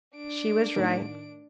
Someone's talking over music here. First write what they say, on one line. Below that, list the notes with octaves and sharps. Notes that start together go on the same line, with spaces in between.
She was right.
D4 D7
A2 D#3